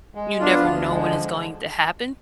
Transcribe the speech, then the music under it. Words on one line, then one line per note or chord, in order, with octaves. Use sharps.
you never know when it's going to happen,
G#3
B3 D4 F4
D2
D3 F3 G#3